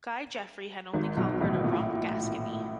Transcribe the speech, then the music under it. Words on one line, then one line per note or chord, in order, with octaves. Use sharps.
Guy Geoffrey had only conquered a rump Gascony.
G#1 G#2
B1 B2
A1 A2
A#2
A2